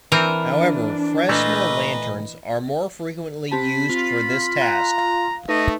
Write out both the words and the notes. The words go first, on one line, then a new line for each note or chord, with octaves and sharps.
However, fresnel lanterns are more frequently used for this task.
E3 C4 D4 A#4
A#2 A3 A#3 B4 D#5
C4 G4 A5 B5
C4 F4
F5 A#5 F#6
F5
A3 D#4 B4 D#5